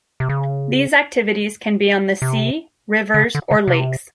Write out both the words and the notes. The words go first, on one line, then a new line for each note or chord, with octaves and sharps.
These activities can be on the sea, rivers or lakes.
C3
C#3
C3
D3
C#3
D3
C#3
C3